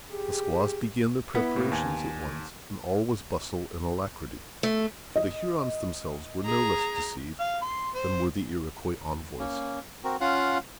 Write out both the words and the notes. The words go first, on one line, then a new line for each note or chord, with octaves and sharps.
The squaws began their preparations at once, and all was bustle and alacrity; for the Hurons themselves were no less deceived than were the Iroquois envoys.
G4 G#4
B3 E4
A2 A#3
D#2 G#5
A3
D#5
G#4 A#5
F5
C6
C5
A#3 C#4
C4 F#4 A#4
C#4 F4 F5 F#5